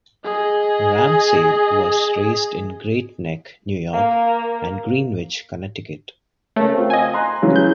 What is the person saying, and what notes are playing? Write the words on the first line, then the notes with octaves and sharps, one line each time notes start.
Ramsey was raised in Great Neck, New York and Greenwich, Connecticut.
G#4 D#5
A#3
C#3 A3 A#4 C#5
C4 F4
D#5 G#5
A#5 C6 F#6
C#3 E3 F#3
G6